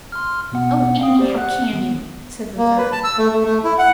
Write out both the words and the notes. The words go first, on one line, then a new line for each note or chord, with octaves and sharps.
"Oh, Anny, how can you!" said the third.
C6 F6
B2 B3 F#5
F5 G5 D#6
G4 C5 D5
F#5 F#6
D#3 B3
A#3
B4
A5
E6
A3
A3
A3
E4
F#5